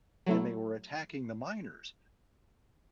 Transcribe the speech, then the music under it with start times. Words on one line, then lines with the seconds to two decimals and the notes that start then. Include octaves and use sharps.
and they were attacking the miners.
0.26 F#3 A3 E4